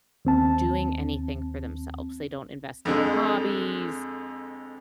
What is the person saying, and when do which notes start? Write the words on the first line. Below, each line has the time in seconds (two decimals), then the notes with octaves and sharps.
doing anything for themselves. They don't invest in hobbies.
0.25 D#2 C4 A5
2.85 F2 D3 G#3